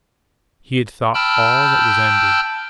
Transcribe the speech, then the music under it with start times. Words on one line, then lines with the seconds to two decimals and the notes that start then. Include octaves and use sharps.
He had thought all that was ended.
1.14 G5 A5 B5 E6 F6 G6